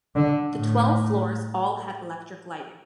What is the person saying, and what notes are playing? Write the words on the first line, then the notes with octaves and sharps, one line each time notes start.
The twelve floors all had electric lighting.
D3
A2